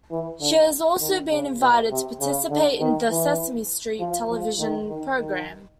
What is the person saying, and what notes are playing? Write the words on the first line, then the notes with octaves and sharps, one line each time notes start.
She has also been invited to participate in the "Sesame Street" television program.
E3
D3
D#3
C#3
B2
C3
C#3
D3
D#3
E3
F3
F3
D#3
D#3
D#3